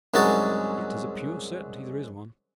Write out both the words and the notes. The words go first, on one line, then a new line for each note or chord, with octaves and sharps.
Yet 'tis a pure certainty there is one.
C2 F#2 G#3 D#4 F#4 A5